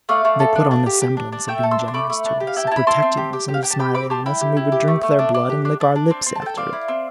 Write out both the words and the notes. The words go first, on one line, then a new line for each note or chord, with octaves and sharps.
They put on the semblance of being generous to us, of protecting us, and of smiling on us, and we would drink their blood and lick our lips after it!
A3 D5 F5
A3
A4
D4
D4
G4
G4
D4
D4
A3 E5 G5
A4
C6 E6
D4
C6
A3 B5 D6
A3
D4
G4
F5
E4 G5
A5
E4
B5
E4 A5 C6
C4
G4
G4
G4
F5
G4 G5
A5
G4 G5 B5
C4 B5 D6
G4 A5 C6
E4 G5 B5
G4
E4
G4
A3
A3
D4
D4
G4
D4
D4
D4
C4
C4
A5
A4 G5
C4 D5 F5
E4
C4